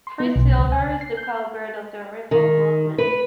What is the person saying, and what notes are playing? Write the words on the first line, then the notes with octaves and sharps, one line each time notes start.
Free silver is the cow-bird of the reform movement.
C6
B3
B1
C#2
G#5
C7
G6
D#3
B4